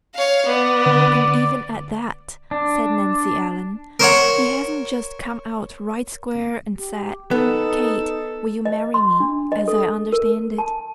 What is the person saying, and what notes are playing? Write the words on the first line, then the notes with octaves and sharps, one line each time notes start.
"And even at that," said Nancy Ellen, "he hasn't just come out right square and said 'Kate, will you marry me?' as I understand it."
C#5 F5
B3 D5
D3
D4
A#4 C5 C#5 F#5
G4
B3 D#4 A4
D#5
C6
D4
D#5
A4
A#4
A5